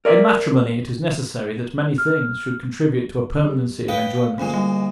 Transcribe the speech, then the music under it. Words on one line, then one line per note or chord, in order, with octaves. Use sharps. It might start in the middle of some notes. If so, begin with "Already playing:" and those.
In matrimony it is necessary that many things should contribute to a permanency of enjoyment.
A#4 D5 E5
F6
F#3 G4
B4 D#5 F5 G5
D2 A#2 G#3 C#4 F4
G3